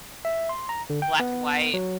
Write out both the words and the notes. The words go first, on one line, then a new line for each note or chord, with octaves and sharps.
black and white,
E5
C6
A#5
D3
G5
B3
F#3